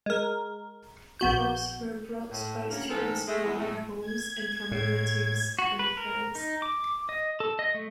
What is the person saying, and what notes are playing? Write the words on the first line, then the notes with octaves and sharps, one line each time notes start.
Props were brought by students from their homes, and from relatives and friends.
G#3 A#4
A#1 B3 F#4 G6
A2
D2 C#3 A#3 C#4 A#4
G#2 E3 C4 A4 A#4
G#3 A3
E2 G#3
A2 A3
G#6
A2
F#4
B4
A#4
D#4
D6
D#5
A4
D#5
A3